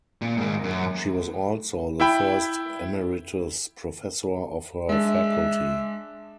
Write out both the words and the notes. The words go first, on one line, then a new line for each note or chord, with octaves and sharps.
She was also the first emeritus professor of her faculty.
A#2
G#2 D#3
F#2
E4 E5 G5 B5
G#3 D4 E5